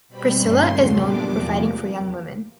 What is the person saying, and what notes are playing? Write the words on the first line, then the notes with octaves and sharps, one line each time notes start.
Priscilla is known for fighting for young women.
B2 G3 C4 B5
G2 D#3 G3 A#3 C#4 C6
E2 C#3 F#3 A3
A#2 G3 B3 D4 D6
E2 C3 F3 A#3